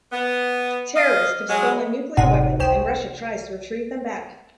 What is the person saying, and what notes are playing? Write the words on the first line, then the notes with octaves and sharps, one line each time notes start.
Terrorists have stolen nuclear weapons and Russia tries to retrieve them back.
B3
D#5 F5
F#3 G#3
G1 A2 C3 D#4 F#5
C2 C5 G5 E7